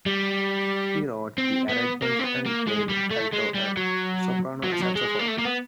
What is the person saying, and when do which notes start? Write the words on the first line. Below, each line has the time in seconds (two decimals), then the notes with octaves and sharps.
He wrote the arrangements and played alto and soprano saxophone.
0.06 G3
1.38 C4
1.69 B3
2.02 A#3
2.19 C4
2.24 B3
2.46 A#3
2.68 G#3
2.89 G3
3.10 A3
3.33 G#3
3.54 G3
3.77 F#3
4.63 F#3
4.72 F3
4.81 F#3
4.95 G#3
5.19 A#3
5.28 A3
5.38 A#3
5.45 B3